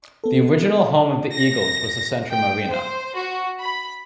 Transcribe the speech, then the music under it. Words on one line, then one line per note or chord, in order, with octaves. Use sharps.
The original home of the Eagles was the Centrum Arena.
B3 A4
A#6
G5
C5
F#4
B5